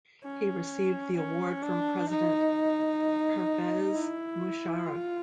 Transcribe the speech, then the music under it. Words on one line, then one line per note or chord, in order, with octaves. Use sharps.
He received the award from President Pervez Musharraf.
C#4
C#4
D4
D#4
E4
F4